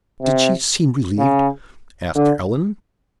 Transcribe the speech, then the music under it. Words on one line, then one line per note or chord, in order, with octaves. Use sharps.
"Did she seem relieved?" asked Allan.
C3
C#3
D3